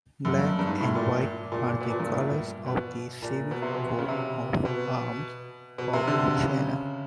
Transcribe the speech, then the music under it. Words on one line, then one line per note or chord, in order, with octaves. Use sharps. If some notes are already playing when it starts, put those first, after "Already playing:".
Black and white are the colours of the civic coat of arms of Siena.
F#2
G2
G2
G#2
A2
A#2
A#2
A#2
B2
A#2
G2
A2
B2
A#2
B2
C3
B2
C#3
C3
B2
B2
C3
D3
C#3